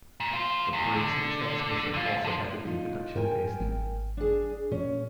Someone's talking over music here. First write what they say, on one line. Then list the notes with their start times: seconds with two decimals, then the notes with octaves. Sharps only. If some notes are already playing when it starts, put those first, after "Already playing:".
The brakes and transmission also had to be production-based.
0.20 A#2
0.33 F4 C5
0.73 E2
0.95 D3
1.94 D3 F4
2.25 D3 F3
2.65 D#4 F4
3.16 G#2 A#4 G5 G#5
3.60 G#1
4.17 D4 G#4
4.71 A#2 C#4